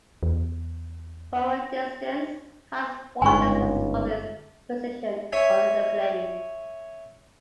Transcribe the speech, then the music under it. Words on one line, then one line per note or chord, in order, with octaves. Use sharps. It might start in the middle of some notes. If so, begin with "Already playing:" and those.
From a distance, Hans watches as his father is positioned under the blade.
E2
G1 C#2 G#2 G#5 C#6
C#5 E5 G#5